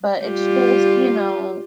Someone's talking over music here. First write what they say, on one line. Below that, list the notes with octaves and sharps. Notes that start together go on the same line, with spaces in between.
But it's just, you know,
G3 F4 G4